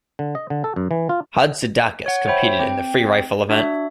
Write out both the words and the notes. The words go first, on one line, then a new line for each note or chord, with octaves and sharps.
Hatzidakis competed in the free rifle event.
D3
D#5
D3
A4
F#2
E3
F4
C#5 F#5
C5 C#5 E5 G5 B5
C4 G5
D4 F#4 E5